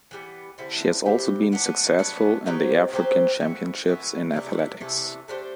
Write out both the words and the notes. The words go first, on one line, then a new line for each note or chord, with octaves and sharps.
She has also been successful in the African Championships in Athletics.
E3 G3 B3
D3 G3 C4 E4
D3 G3 C4 E4
F#3 B3 D4
F#3 B3 D4
F#3 C4 G4 C5
F#3 C4 G4 C5
E3 B3 F#4
E3 B3 F#4
C3 E3 A3 D4
C3 E3 A3 D4
A3 D4 G4 C5